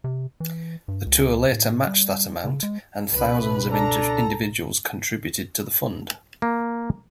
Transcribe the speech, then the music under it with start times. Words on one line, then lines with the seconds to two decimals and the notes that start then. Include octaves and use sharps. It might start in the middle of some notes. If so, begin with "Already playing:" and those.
The Tour later matched that amount, and thousands of individuals contributed to the fund.
0.04 C3
0.40 E3
0.88 G2
1.07 C#2
1.52 A2
1.87 G3
2.44 C#3
2.63 G#3
3.12 C#2 B2 B4
3.71 D4 A4 A#5
6.42 A#3